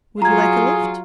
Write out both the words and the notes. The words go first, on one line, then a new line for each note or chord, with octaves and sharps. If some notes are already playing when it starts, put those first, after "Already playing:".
Would you like a lift?
F#3 F4 G#4 A#5 G#6